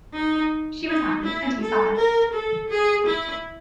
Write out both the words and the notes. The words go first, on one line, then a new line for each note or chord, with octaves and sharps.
She was happy, and he saw it.
D#4
D#4
E4
A4
A#4
A4
G#4
E4